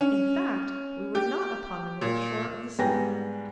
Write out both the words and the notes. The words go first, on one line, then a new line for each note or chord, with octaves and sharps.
In fact we were not upon the north shore of the sea.
C#4
G4
A#2
G#2 G3 B3 G5 G#5 A#6